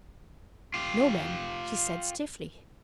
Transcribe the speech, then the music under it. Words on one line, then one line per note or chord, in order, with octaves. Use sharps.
"No, ma'm," she said stiffly.
F4 G4